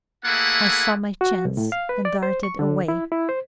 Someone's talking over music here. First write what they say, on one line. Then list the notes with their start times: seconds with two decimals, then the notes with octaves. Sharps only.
I saw my chance, and darted away.
0.24 A3 A#3 E4 G#4 F#5
1.21 F#4
1.45 C2
1.57 A2
1.72 F5
1.89 B4
2.05 D5
2.23 C5
2.43 C#6
2.59 D3
2.88 E4
3.12 E4
3.29 C5